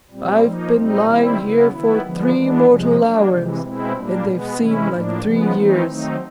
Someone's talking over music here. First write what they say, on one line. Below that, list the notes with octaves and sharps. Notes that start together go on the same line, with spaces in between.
I've been lying here for three mortal hours and they've seemed like three years.
A#2 G3 C4
F3 A#3 D#4
A#2 G3 C4 D#4
D#3 G3 C4 E4
C#3 F#3 B3 E4
D#3 F#3 B3 E4
D3 F3 G#3 B3
E3 G#3 B3 D4
C3 F3 G#3
F#3 A#3 D4
C3 E3 G#3
B2 G#3 C4 E4
A#2 G3 A#3 D4
B2 G#3 B3
C3 E3 G#3 C#4 E4
A2 F3 A#3 D4
C#3 F3 G#3 B3
E3 A3 C4 D#4
D#3 F#3 A3 C4 D#4